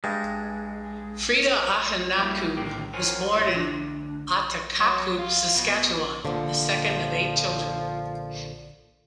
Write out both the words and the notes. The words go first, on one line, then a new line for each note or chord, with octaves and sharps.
Freda Ahenakew was born in Ahtahkakoop, Saskatchewan, the second of eight children.
G2 G#3
G3 A3 A#3 E4 F#4 G4
A2 D3 D#3 A#3 G4
A#4 C5 C#5 F#5 G#5
A2 E4 A#4 C#5 D5 E5
D2 D4
F#3
F4
B2
A#2 D3 F3